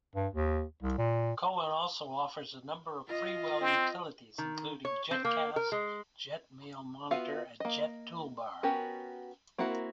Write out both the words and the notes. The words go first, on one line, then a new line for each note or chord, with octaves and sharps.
Cowon also offers a number of freeware utilities, including "JetCast", "JetMailMonitor" and "JetToolBar".
G2
D#2
C2
A#2
F4 D#5
C4
D#3
C#5
C4
A#3
A#4
G#3
B3 F4 F#4 E5 F5
A#3 D#5
B3 C#4 F#4 G4 A#4
A#3 C4 E4 F#4 A#4